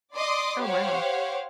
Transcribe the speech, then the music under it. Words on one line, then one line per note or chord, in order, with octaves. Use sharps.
Oh, wow.
D5 D#5 C6 D6 D#6
G4 C5 C#5 F5 F#5